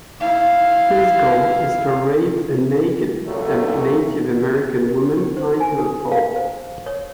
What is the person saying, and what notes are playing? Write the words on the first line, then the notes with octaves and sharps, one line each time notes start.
His goal is to rape a naked Native American woman tied to a pole.
E4 F5
C#2 A#2 F#3 A3
G4
C5
G#5
A4
F5
C5
C#5